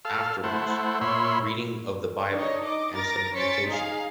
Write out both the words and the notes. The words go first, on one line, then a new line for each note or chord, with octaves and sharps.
Afterwards, reading of the Bible and some meditation.
A4 F5
A3 E4 C5 F#5
A#2 C#5 E5 B5 C6
D4 D#4 C#5 D#5
D#5 D6
A#4 A6 A#6 D7
C#4 C5 A6 B6 C#7 D7
D#4 G#4 F5